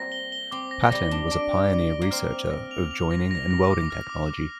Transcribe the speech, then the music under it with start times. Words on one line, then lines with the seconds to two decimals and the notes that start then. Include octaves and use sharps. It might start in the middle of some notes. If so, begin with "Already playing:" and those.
Paton was a pioneer researcher of joining and welding technology.
Already playing: G3 A#3 C4 A#6
0.12 G7
0.32 G7
0.51 C4 D6
0.71 A#6
0.91 G3 A#6
1.11 D4 A#6
1.31 D4 D7
1.51 D6
1.71 D6
1.90 A#6
2.02 A#3
2.11 C4 F6
2.31 F7
2.51 A#6
2.71 F7
2.91 F7
3.11 A#6
3.31 A#6
3.51 A#6
3.70 D6
3.90 F6
4.09 D6
4.30 D6